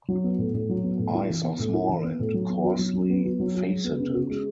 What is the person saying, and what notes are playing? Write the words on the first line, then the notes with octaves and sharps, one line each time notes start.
Eyes are small and coarsely faceted.
F#3
B3
A2
A2
F#3
B3
A2
E4
E3
B3
A2
E4
E3
B3
A2
F#3
B3
F#4
F#3
F#3
B3
F#4
F#3
F#4
G#3
B3
C#3
F#4
G#3